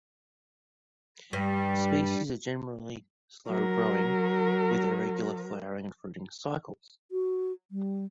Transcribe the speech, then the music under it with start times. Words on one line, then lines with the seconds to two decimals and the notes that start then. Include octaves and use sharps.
Species are generally slow growing with irregular flowering and fruiting cycles.
1.33 G2 G3
3.47 F#3 A#4
7.12 F#4
7.71 G3